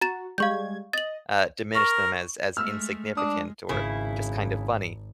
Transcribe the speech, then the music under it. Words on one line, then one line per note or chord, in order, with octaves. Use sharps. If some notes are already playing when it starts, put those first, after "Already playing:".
uh, diminish them as as insignificant or just kind of funny.
F#4 A#5 A6 E7
G3 G#3 F5 C#6 G6 G#6
D#5 A6 F#7
A#4 C#6
G#3 A3 E6 F6
G#3 D4 D#6
G#1 C#3 E4